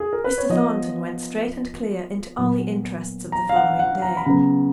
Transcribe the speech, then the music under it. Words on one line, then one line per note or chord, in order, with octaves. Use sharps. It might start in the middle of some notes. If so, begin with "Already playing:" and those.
Mr. Thornton went straight and clear into all the interests of the following day.
G#4
A#4
B4
C#5
F3 B3 D#5
A#2 F#3 B3
A#5
F5
F#5
F#5
A#5
B5
C#3 F#3 B3 A#5